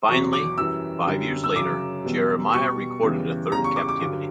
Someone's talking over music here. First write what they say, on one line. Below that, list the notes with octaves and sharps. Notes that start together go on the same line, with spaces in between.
Finally, five years later, Jeremiah recorded a third captivity.
E2 B2 F#3 C#6
D6
F#2 E3 G3 E6
F#2 D3 G3
E6
F#2 C#3 F#3 D6
E2 B2 G3
B2 G3 C#6
E2 C#3 E3 G3
E2 C#3 G3 A#5
C#6
D6
D6
G2 D3 F#3